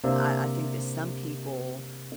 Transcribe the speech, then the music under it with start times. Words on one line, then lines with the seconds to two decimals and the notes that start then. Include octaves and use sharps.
I I think that some people
0.04 C3 A#3 D4 C5 E5 F5